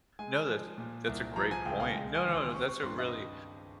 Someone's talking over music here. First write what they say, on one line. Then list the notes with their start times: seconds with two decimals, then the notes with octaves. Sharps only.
No, that's that's a great point. No, no, no, that's a really
0.19 G#3 G#5
0.49 F3
0.78 A#2
1.07 C2
1.36 F3 A#5
1.51 G#5
1.65 C#2 G5
1.80 F5
1.95 G#3 G5
2.15 G#5
2.25 D#2
2.34 C6
2.54 C4 C#6
2.69 C#6
2.83 G2 C6
2.98 D#5